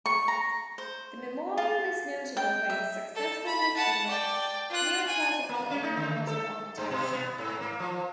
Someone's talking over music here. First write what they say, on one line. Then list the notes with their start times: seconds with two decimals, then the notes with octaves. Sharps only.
The memorial is notable for its successful mixing of Neoclassical and Modern architecture.
0.06 C#6
0.28 A#5
0.78 C5
1.57 F4
2.37 G5
2.70 E5
3.15 A4
3.46 B5
3.76 F#5 A5
4.06 D5 G5
4.69 F4 F#6
5.07 G#5
5.49 A#3
5.70 C#4
5.83 D#4
5.97 D3
6.27 A4
6.77 G2
6.91 B2
7.12 B3
7.38 G#2
7.61 A#3
7.80 F3